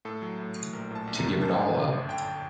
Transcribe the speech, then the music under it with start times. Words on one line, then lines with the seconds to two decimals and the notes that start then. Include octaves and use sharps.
To give it all up.
0.05 A2 A4
0.22 F#3
0.39 A2
0.56 A2
0.73 A#1 A#4
0.90 A2 A5
1.07 A#1
1.19 A#5
1.24 A2
1.41 G1 A5
1.59 F#2
1.75 D3
1.92 G1
2.09 D3 G5
2.22 A5